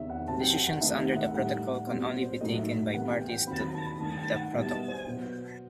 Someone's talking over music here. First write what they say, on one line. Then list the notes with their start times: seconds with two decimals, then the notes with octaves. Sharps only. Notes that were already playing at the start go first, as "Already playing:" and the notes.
Decisions under the Protocol can only be taken by Parties to the Protocol.
Already playing: E2 C3 D#3 E5
0.10 F#5
0.28 C3 F#3 C4 A5
0.40 G5
0.54 F#5
0.67 F#5
0.81 C3 D#3 A3 C4 D#4 E5
0.98 D#5
1.12 F#5
1.16 E5
1.33 A2 G3 D#4 F#5
1.87 B2 G3 C4 C5
2.22 C5
2.41 A2 F#3 A3 D#4 D#5
2.58 E5
2.93 C3 E3 B3 F#5
3.12 G5
3.29 G5
3.46 D#2 D#3 F#3 C4 B5
3.60 B5
3.74 A5
3.86 B5
4.00 G2 D#3 A3 A5
4.17 G5
4.35 F#5
4.52 B2 G3 B3 E5
4.71 D#5
4.88 C5
5.07 B2 F#3 B3